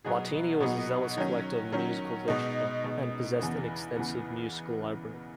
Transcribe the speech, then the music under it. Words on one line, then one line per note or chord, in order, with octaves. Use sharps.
Martini was a zealous collector of musical literature, and possessed an extensive musical library.
B2 F#3 B3 D#4 G#4
B2 F#3 B3 D#4 G#4
D#3 F#3 C#4
D#3 F#3 C#4
B2 G#3 D#4
B2 G#3 D#4
E2 C#3 E3 B3
E2 C#3 E3 B3